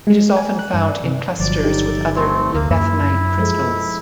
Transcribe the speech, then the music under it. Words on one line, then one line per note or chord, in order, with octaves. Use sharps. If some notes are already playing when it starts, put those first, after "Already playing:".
It is often found in clusters with other libethenite crystals.
G#3
G#5
F#6
G2
D5
C3
G1 F3 F#3 D5
D#4 G4 A4
A3 C4
D2 A#3
F#2 A#3 E4
F3 G#3 A4